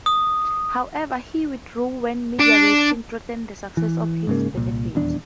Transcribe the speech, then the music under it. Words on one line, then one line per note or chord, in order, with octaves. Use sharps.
However, "he withdrew when media reaction threatened the success of his benefit".
D#6
D4
E3
G#2 C#3 A#3
C2 A#2
D#1 E2 D4